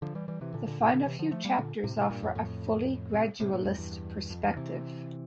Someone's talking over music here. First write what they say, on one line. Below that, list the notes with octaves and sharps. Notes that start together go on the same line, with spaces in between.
The final few chapters offer a fully gradualist perspective.
D3 F3
E3 G3
E3 G3
C3 E3
A#2 D3
A#2 D3
A2 C3
A#2 D3
C3 E3
D3 F3
F3 A3
G3 A#3
A#2 D3
A2 C3
A2 C3
G2 A#2
F2 A2
F2 A2
A2 C3
A2 C3
G2 A#2
F2 A2
E2 G2
F2
E2 G2
C3 E3